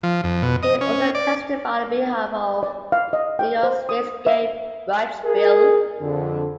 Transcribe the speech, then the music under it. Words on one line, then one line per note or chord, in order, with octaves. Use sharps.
He also testified on behalf of New York State's Gay Rights Bill.
F3
F2
B2
D#5
C#4
D5
D5
F5
D#5
G5
C5
D#6
E5
G#4 A#4
F2 D3